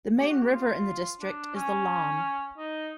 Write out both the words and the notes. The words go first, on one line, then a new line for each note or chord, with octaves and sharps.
The main river in the district is the Lahn.
G4
F#4
G4
F4
D4
C#4
D#4